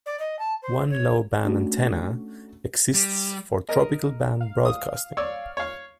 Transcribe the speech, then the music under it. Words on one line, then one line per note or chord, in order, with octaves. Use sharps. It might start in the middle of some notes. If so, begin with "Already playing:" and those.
One Low Band antenna exists for Tropical Band broadcasting.
D5
D#5
A5
C5
C#5
A3 C#4 D4 F#4 A4
G3
A#4 D#5
F5
D#6
C#5 D5 E6
C#5 F5